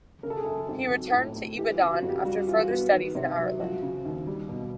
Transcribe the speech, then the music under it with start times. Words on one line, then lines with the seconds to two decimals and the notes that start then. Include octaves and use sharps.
He returned to Ibadan after further studies in Ireland.
0.23 C#3 A#4
0.30 A4
0.37 G#4
0.45 F#2 A4
0.68 G#1
0.91 F#3
1.13 A2
1.36 A3
1.58 E3 G4
1.75 F4
1.81 C#3
1.92 F#4
2.02 F2
2.09 G4
2.25 G3 F#4
2.47 E3 F4
2.59 F#4
2.70 B3
2.93 D#3
3.15 C3
3.37 F#3
3.60 F3 F#4
3.82 C#3
4.05 D#2
4.27 G3
4.49 B2